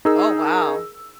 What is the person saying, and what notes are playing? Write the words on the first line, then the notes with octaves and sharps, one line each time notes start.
Oh, wow.
D#4 G#4 A#4 E6